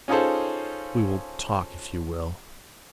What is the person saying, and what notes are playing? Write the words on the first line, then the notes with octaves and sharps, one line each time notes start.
"We will talk, if you will."
C#4 D#4 F4 G#4 A4 C5